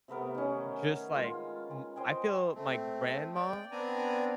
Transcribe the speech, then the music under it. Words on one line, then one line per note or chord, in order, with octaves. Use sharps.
just like m I feel my grandma
C3 A3 B3 A#4
D#3 C#4
G#3 F4
G#5
C5 D#5 G5 G#5
A3 C4
D5 G5
B3 C4 D4 D5 G#5 A#5